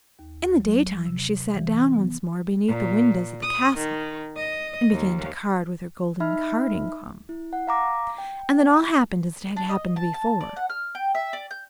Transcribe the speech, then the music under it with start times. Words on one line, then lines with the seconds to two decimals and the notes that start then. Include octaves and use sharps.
In the daytime she sat down once more beneath the windows of the castle, and began to card with her golden carding-comb; and then all happened as it had happened before.
0.19 D#2
0.60 F#3
1.06 C3
1.54 E3
1.94 B3
2.67 A#2
3.41 D#6
3.77 D#3
4.36 D#5
4.91 D#2
6.20 D#4 E5 B5 F6
7.29 E4
7.53 F#5
7.67 F5 A#5 D6 A#6
8.18 G5
9.56 D4
9.69 D#5
9.96 A5
10.14 A5
10.41 D5
10.56 F#5
10.70 F6
10.95 G5
11.15 E5
11.33 D5
11.51 G6